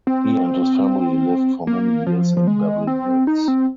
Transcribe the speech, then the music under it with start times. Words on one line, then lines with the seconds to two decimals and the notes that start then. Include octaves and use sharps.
He and his family lived for many years in Beverly Hills.
0.07 C4
1.67 A#3
2.07 F3
2.37 F3
2.47 G#3
2.87 C4
3.27 D#4
3.48 C4